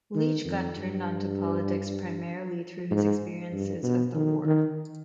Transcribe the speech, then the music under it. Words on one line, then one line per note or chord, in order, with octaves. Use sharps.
Leech got turned onto politics primarily through his experiences of the war.
D#3
F2
G2
G#2
G2
B2
D#3
D#3